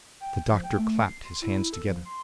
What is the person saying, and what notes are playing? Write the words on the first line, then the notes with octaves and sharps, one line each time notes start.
The doctor clapped his hands together.
G5
F3
G5
A3
C7
C6
E4
A4
F3
C6